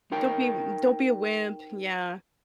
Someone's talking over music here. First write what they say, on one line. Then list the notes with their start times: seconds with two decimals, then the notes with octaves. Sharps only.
Don't be m don't be a wimp, yeah.
0.12 D#4 A#4 G5 A5